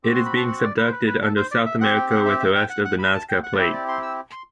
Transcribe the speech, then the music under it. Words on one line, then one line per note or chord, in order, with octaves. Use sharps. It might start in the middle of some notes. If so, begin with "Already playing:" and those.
It is being subducted under South America with the rest of the Nazca Plate.
C4 F#4 D6
C6
B5
A5
F#5
D5
B4
C5
B4
B4
A4
C5
D5
E5
C4 G4 F#5
G5
F#5
E5
E5
G5
F#5
F#5
B5
A5
G5
F#5
D5
C4 E4 G4 E5
D5
C6
E6
C6